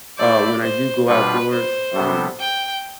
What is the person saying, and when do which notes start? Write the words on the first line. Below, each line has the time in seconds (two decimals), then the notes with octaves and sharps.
uh, when I do go outdoors, um,
0.18 A3 E4 A4 C5 D5
0.62 C5
1.07 B2 G3 D4 F4 B4
1.51 C5
1.95 C3 G3 B3 D4 A4
2.40 G5